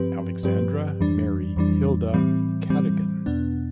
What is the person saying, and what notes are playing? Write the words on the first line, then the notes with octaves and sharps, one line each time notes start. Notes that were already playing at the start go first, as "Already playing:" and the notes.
Alexandra Mary Hilda Cadogan.
Already playing: G2 F3 C4 G4 B4
G2 F3 C4 G4 B4
F2 E3 G3 D4
F2 E3 G3 D4
A2 E3 G3 C4
A2 E3 G3 C4
E2 B2 B3 D4